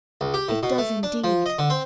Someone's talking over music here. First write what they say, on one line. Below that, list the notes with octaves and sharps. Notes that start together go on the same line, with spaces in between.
It does indeed.'
C#2
G4
A2
B2
A3
D4
F3
D#5
D3
C4